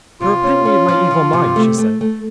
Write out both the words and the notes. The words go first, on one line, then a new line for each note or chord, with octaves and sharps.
'To repent me of my evil mind,' she said.
C3 F4
C#4
C#4
F3
F3
C3
A3
A3
A3